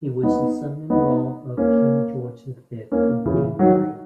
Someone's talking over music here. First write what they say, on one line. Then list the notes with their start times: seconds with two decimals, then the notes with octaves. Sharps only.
He was the son-in-law of King George the Fifth and Queen Mary.
0.23 B3 D#4
0.90 B3 D#4
1.57 A#3 C#4
2.92 A#3 C#4
3.25 C#3 E3
3.59 D#3 F#3